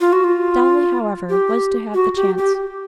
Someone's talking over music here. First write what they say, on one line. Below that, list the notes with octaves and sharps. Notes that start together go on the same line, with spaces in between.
Dolly, however, was to have the chance.
F4
F#4
F4
G4
F#4
G4
G4